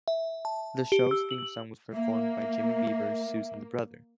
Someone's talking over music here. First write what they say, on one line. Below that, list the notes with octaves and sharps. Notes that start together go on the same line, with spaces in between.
The show's theme song was performed by Jimmy Beavers, Susan's brother.
E5
A5
G4
E6
F#7
A#3 E5